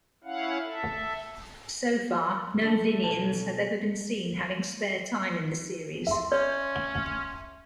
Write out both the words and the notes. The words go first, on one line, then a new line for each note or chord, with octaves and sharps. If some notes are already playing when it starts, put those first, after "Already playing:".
So far, no Vineans have ever been seen having spare time in the series.
C#4 E4 F5 F#5
A4 E5
D3 A3 A4
B1 A5
E5 C6
C#4 C#5